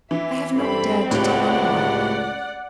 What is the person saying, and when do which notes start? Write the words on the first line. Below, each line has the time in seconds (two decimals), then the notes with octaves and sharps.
I have not dared to tell anyone.
0.11 E3 E5
0.56 G2 C4 A4 B5
1.11 C#2 A2 G4 D5 F#5